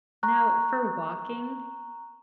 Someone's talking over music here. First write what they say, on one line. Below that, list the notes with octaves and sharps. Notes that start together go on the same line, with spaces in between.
No, for walking,
A#5 C#6 F#6